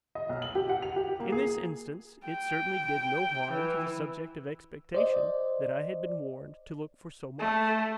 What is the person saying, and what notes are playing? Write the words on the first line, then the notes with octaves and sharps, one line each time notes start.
In this instance it certainly did no harm to the subject of expectation that I had been warned to look for so much.
D#5
B1
F#7
G4
F#5
F7
G4
A#3
G#4
G5
E3
C5 D5 D#5
A3